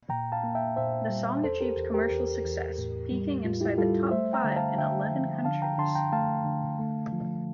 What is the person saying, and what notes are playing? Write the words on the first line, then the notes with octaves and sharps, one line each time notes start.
The song achieved commercial success, peaking inside the top-five in eleven countries.
A#2 G5 A#5
F5 A5
A#3
E5 G5
A#2 C5 E5
G3
E2 A4 C5
G4 A#4
E2
G4 A#4
E2
E2
A2
G3
A2 F4
E4 G4
G3 F4 A4
A3 C5 E5
G5 A#5
D3
F5 A5
D3 E5 G5
F3
D3 F5 A5
G5 A#5
D3 A5 C6
G5 A#5
A3 F5 A5
D3
A3
F3